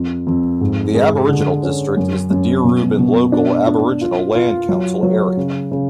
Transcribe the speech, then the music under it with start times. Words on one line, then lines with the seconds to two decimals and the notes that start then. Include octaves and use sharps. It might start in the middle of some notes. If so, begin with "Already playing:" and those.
The Aboriginal district is the Deerubbin Local Aboriginal Land Council Area.
Already playing: F2
0.27 F2
0.61 G#2
0.94 G#3
1.29 D3
1.63 C#4
1.97 F#2
2.30 F#2
2.64 B2
2.99 B2
3.32 D4
3.67 D4
4.01 F4
4.35 F4
4.69 F#3
5.03 F#3
5.37 C#3
5.72 C#3